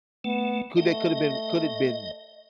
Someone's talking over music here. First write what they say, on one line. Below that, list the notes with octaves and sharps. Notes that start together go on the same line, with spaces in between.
could they could have been could it have been,
A3 B3
A3 D#5